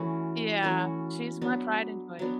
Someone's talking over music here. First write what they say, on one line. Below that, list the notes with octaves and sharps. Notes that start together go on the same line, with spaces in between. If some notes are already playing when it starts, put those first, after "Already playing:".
Yeah. She's my pride and joy.
Already playing: E3 A3 C#4 F#4
E3 A3 C#4 F#4
F#3 B3 D4
F#3 B3 D4